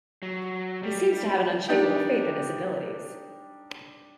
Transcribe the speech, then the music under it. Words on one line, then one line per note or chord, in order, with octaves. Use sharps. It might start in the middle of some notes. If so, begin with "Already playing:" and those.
He seems to have an unshakeable faith in his abilities.
F#3
G3
G3 D4 D#4 G4 G5